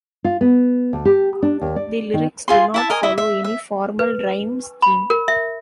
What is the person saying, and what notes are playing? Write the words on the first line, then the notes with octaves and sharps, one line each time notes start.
The lyrics do not follow any formal rhyme scheme.
F4
B3
D2
G4
D4
D#2
D5
D#3
F4 G#4 C6
E4 E5 A5
A#4 D#5 G#5
E4 D#5 E5
E5
E5
B4
B5
A#4
E5